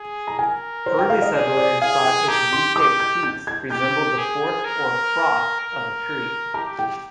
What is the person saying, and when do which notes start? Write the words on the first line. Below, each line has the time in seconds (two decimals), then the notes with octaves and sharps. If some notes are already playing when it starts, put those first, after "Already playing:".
Early settlers thought its V-shaped peaks resembled the fork or "crotch" of a tree.
Already playing: G#4
0.27 A#5
0.39 A#4 G#5
0.86 C5
0.99 G5
1.10 F5
1.22 D#5
1.34 G#4 D5
1.57 D5
1.81 G#4 F5
2.05 G5
2.28 G4 A#5
2.53 C6
2.75 G4 D6
3.00 G6
3.23 G6
3.47 G#6
3.70 G4 G6
4.18 G#4
4.65 A#4
5.61 A#4
6.54 G4 A#5
6.79 G5